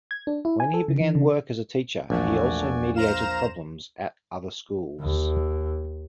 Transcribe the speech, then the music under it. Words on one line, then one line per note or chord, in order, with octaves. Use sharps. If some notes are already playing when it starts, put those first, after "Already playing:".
When he began work as a teacher, he also mediated problems at other schools.
G#6
D4
E4
G#5
A4
C#3
E3
C#3
A#1 E2 B2 A3 F#4 D5 G#5
C5 F5 A#5 E7
D#2